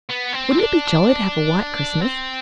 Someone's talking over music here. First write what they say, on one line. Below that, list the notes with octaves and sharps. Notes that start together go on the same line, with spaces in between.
Wouldn't it be jolly to have a white Christmas?
B3
C4
D4
C4